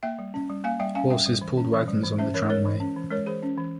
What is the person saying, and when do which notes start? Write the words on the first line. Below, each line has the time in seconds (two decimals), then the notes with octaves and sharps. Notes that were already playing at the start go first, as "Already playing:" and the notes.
Horses pulled wagons on the tramway.
0.03 A#3 E5 G5
0.19 G3
0.34 C#4
0.50 G3
0.64 A#3 F5 G#5
0.80 G3 E5 G5
0.95 C#4 F5 G#5
1.10 G3 E5 G5
1.26 G3
1.41 E3
1.57 C#4
1.73 E3
1.88 G3
2.03 E3
2.18 C#4 C5 E5
2.34 E3 A#4 C#5
2.49 G#3 A#4 C#5
2.65 E3
2.80 C#4
2.96 E3
3.11 G#3 A#4 C#5
3.26 E3 G#4 C5
3.43 C#4
3.58 E3